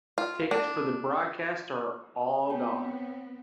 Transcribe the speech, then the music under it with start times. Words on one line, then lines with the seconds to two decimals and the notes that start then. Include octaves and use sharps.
Tickets for the broadcast are all gone.
0.18 F4
0.51 D4
2.50 B3 C4 C#5 G5